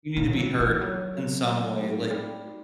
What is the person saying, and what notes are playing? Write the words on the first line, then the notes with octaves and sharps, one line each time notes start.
you need to be hurt in some way, like
A2 A3
F#3
E3
D#4 G4
E3
F#3 G3
B3 F#4 A4
A3
C4 D#4 G4
G3 A3
D#4 F#4